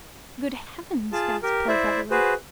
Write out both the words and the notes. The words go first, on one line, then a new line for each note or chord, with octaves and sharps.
"Good heavens!" gasped poor Beverly.
F4 G#4 A5
G4 A#4
E4 C5 D5 E5
F#4 G#4 B4 C5